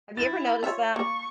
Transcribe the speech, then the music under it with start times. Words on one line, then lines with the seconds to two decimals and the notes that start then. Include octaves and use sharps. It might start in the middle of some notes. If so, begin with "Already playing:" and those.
Have you ever noticed that?
0.17 E4 A6
0.63 F4 C#5 E5
0.96 A#3 C#6